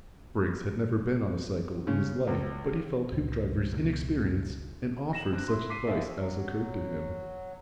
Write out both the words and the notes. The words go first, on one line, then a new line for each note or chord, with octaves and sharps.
Briggs had never been on a cycle in his life, but he felt Hoopdriver's inexperience and offered such advice as occurred to him.
C#3
C#2
C#2 A#2
C#2 B2
A#6 E7 F#7
C3 D4 F#6
E4 C6
D6 B6 C7 D#7
D#2 D#4 E5
F#3